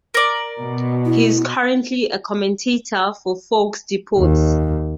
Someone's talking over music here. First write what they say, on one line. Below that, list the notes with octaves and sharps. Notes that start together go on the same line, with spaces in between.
He's currently a commentator for Fox Deportes.
A#4 D5
B2
E4
D#2